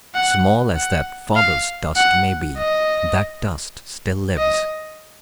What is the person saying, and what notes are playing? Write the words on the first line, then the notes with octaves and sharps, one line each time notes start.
Small as that father's dust may be, that dust still lives.
F#5
F#5
F5
F#5
D#5
D#5